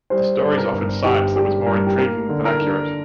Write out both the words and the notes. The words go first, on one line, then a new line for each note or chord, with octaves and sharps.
The stories offered science that was more intriguing than accurate.
G3 C5
G2
A#4
G1
G1 G4
G3 G4
G2 A#4
G4
A#3 A#4
D3
A#4
D4